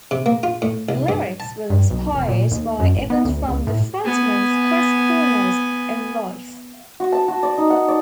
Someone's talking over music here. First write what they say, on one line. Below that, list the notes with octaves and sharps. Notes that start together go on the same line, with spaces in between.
The lyrics were inspired by events from the frontman's, Chris Cornell's, own life.
C3
A#3
F4
A2
C2
G2
A5
G2
B1
F1
A#2
D#2
F#2
A1
B3
D2
C#2
A2
B3 G#5
F#4
A5
F#4
D5
D#4
F#5
D5